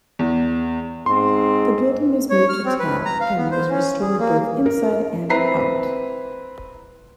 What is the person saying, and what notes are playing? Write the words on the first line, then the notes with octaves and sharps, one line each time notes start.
The building was moved to town and was restored both inside and out.
E2
G#2 C4 C6
C#5
F6
C4
B4
A#5
F5
B3
C5
C#4
G#4
A#3
A#4
C4 E4 B4 A#5 C7